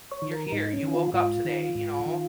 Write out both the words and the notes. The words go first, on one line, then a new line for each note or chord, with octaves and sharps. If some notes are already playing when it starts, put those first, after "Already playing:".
you're here, you woke up today, you know?
C#5
D#3
A#4
G#2 D#4
C#4
D#3
F4
G#2 F4
D#3
G#2
D#3